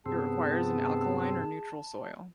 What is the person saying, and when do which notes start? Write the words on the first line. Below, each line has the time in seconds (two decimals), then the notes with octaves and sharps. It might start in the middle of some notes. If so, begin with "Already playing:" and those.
It requires an alkaline or neutral soil.
0.06 G2 C3 B3 C4 G#4 A5